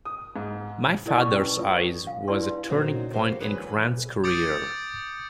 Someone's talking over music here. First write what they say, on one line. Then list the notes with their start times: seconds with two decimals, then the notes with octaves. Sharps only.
"My Father's Eyes" was a turning point in Grant's career.
0.05 D#6
0.36 G#2
1.06 E4 A#4 D5 D#5
1.17 D#5 A#5 C#6
1.31 C#4 B4 A5
1.57 F4 A4
2.07 F5
2.28 D4 E4 B4 D5 C6
2.69 A#2 C#3 F#3 C4 D#4 F#4
3.13 A#3 F#4 G4 C5 F5
3.40 D3 E3 F#3 C#4 G#4 B4
4.24 D6 D#6 G6 A6 C#7 D7